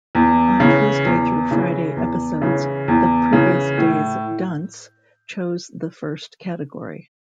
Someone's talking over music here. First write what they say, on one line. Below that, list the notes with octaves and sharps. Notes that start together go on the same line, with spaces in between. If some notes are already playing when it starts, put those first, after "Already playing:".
On Tuesday through Friday episodes, the previous day's dunce chose the first category.
E2
C#3 E3
E2
C#3 E3
E2
C#3 E3
E2
C#3 E3
A2